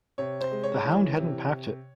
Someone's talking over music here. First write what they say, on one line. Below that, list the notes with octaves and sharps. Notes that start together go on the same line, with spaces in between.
The hound hadn't packed it.
C3 C#5
C5
G#3
C#5
E3
C3